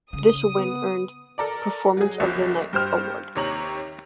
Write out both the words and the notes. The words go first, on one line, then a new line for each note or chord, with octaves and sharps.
This win earned "Performance of the Night" award.
C#3 D#6
B3
A4 A#4 D5
F#3 G#4
F#1 C2 F3 F#3
G2 G4 C5 F6
D#2 C3 C#5 A#5 F#7